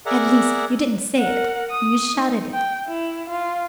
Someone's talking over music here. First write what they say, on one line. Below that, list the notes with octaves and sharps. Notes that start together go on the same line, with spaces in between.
"At least--you didn't say it--you shouted it!"
G#4 A#4 D5 E5 F#5 A#5
A#4 F#5
D#6
D#4
G5
E4
F4